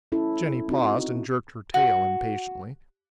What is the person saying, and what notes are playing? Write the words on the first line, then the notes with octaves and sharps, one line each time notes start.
Jenny paused and jerked her tail impatiently.
C#4 E4 A4
C4 D#4 F#4
F#4